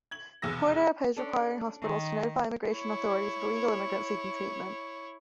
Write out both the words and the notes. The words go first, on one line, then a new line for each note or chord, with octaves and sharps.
Porter opposed requiring hospitals to notify immigration authorities of illegal immigrants seeking treatment.
G#6 F#7
F1 B1 E2 G#4 E6 A#6
C#4 D4 A4
D#3
E4 C#5